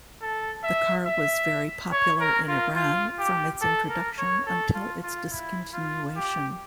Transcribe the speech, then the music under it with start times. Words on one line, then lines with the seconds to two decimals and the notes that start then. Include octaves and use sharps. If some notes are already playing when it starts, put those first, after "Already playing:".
The car was very popular in Iran from its introduction until its discontinuation.
0.22 A4
0.64 E5
1.07 E5
1.92 C#5
2.21 A#4
2.49 F4
2.76 F4
3.19 G4
3.62 A4
3.90 A#4
4.19 C#5
4.47 A4
4.75 F4
5.03 F4
5.31 E4
5.73 F4
6.16 G4